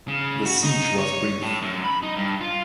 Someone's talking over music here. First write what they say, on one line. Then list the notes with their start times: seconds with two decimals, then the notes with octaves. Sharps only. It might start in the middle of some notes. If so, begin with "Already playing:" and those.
The siege was brief.
0.08 C#3
0.46 F#4
0.63 D#4
0.98 C#5
1.42 A2
1.62 F#2
1.84 B5
2.03 D#4
2.16 G2
2.41 F4